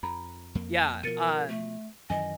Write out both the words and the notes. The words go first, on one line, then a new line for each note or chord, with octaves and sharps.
Yeah, um,
F2 A#5 B5
F2 A#3
B2 F3 A#4 A6 C#7 D#7
A3
F#2 D#3 E3 D#5 G#5